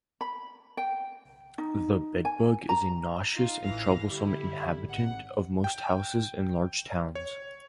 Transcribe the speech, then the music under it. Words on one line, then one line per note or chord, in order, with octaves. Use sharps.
The bedbug is a nauseous and troublesome inhabitant of most houses in large towns.
B5
G5
D#4
G#5
A#5
D#4 F4
A1 E3 F5 A#6
D3 G3 E4
G#1 F#5
G5
C#5